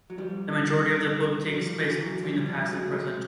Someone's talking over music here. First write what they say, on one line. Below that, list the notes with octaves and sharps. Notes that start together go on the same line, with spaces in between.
The majority of the book takes place between the past and present.
F#3
F3 G3
F#3
F3 G3
E3 F#3
E3 F#3
F3 G3
F3 G3
F#3 G#3
A3
F#3 G#3
G#3